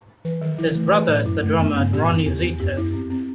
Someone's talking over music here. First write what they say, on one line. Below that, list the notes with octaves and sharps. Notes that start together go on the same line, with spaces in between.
His brother is the drummer Ronnie Zito.
E3 B4
D#3 F#3
D#3 E4
E3 A3
E3 B4
A2 F#3
F#2 E4
F#2 A3
F#2 B3
G2 B3
A2 G4
F#2 E4
E2 B3
B3
F#2 G4
E4
C4
C4